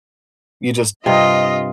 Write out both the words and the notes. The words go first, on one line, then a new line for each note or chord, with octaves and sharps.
you just
G2 C3 F4 D#5